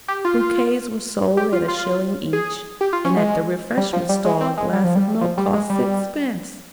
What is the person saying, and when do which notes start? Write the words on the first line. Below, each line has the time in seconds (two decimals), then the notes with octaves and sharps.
Bouquets were sold at a shilling each, and at the refreshment stall a glass of milk cost sixpence.
0.08 G4
0.25 F4
1.37 G4
1.53 F4
1.68 F4
2.33 G#4
2.81 G4
2.93 F4
3.05 C#4
3.17 G#3
3.77 G3
3.93 F3
4.09 G3
4.25 G#3
4.41 C4
4.57 G#3
4.73 G3
4.84 F3
4.95 G3
5.21 F3
5.38 G3
5.53 G#3
5.70 G3